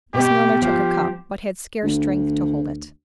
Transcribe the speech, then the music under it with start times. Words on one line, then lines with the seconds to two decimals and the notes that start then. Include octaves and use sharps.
Miss Milner took a cup, but had scarce strength to hold it.
0.14 B2 G4
0.62 F3 G4
1.84 D2